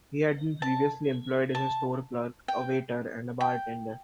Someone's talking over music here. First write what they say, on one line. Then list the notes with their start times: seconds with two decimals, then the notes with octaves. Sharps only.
He had been previously employed as a store clerk, a waiter, and a bartender.
0.62 A5
1.55 A5
2.48 G5
3.41 G5